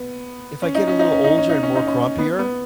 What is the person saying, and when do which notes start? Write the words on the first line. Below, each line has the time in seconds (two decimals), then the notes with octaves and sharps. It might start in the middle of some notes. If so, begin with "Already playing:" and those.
if I get a little older and more grumpier
Already playing: B3
0.62 C#4
0.75 D#4
0.87 C#4
0.99 D#4
1.12 C#4
1.24 D#4
1.38 C#4
1.50 D#4
1.63 C#4
1.75 D#4
1.87 C#4
2.18 B3
2.39 B3